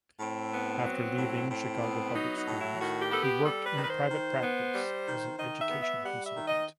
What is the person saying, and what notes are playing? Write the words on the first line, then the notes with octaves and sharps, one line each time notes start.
After leaving Chicago Public Schools he worked in private practice as an educational consultant.
A2 C4
B3
F#3
A2
A2 C4
B3
F#3 D#4
D#4
A2
E4
D#3 F#4
G4
B3 A4
G4
G3 A4
B4
D#3
B4
C5
D#3
B3
G3
D#3
D#3 D#5
E5
B3
E5
G3 F#5
E5
D#3
D#5